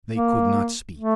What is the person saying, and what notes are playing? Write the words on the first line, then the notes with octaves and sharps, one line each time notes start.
They could not speak.
A#3
A3